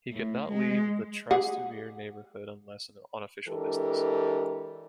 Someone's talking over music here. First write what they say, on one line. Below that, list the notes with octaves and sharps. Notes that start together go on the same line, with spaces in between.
He could not leave the Trastevere neighborhood unless on official business.
A2
G#3
G4 G#4 F#5
E3 G#3 D4 G4 A4 A#4